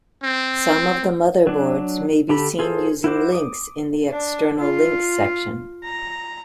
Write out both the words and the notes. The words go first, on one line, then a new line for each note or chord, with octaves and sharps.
Some of the motherboards may be seen using links in the external links section.
C4
F#3 D4
D3 G4 A4 B5
F4 G#4 A4 C5
E4 F#4 C5 D6
D6 D#6
D4
F4
A#5